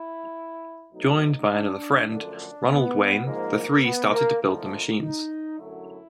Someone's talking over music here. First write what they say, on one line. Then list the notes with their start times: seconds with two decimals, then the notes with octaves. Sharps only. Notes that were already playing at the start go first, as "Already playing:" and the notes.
Joined by another friend, Ronald Wayne, the three started to build the machines.
Already playing: E4
0.91 B2 F#3 A3 D#4
1.50 D4
2.08 F#2 D3 F3 A3 D4
2.66 B3
3.24 G#2 F3 G#3 A#3
3.83 B3
4.12 A#3
4.41 F2 D3 F3 A3 A#3
4.99 D#4
5.58 F#2 D3 F#3 A3 E4